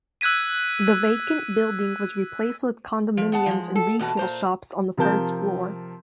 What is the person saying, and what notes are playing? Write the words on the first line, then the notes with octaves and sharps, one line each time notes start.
The vacant building was replaced with condominiums and retail shops on the first floor.
E6 F#6 G#6 B6 D#7
F3
B3 F#5 A5
F3 G#3
A4
E2 B2 F#4 A5
A#2 C5 A#5
C3 F3 A#4 A5 G6